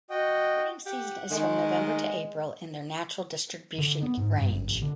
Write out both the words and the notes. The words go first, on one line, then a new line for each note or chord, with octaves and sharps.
Breeding season is from November to April in their natural distribution range.
F#4 D#5 G5
G4 F#5
D#3 G#3
D3
B3
G#2
G2
G1
A1
D3